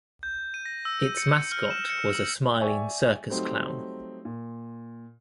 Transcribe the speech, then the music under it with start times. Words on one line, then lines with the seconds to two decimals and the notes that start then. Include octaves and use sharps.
Its mascot was a smiling circus clown.
0.23 G6
0.54 D#7
0.66 A#6
0.85 E6
1.04 D#7
1.17 C#7
1.52 F6
1.70 E7
1.90 C#7
2.13 F#7
2.60 D5 E5 G5 G#5 C#6
3.30 F#3 G3 A3 C4 D#4
4.25 A#2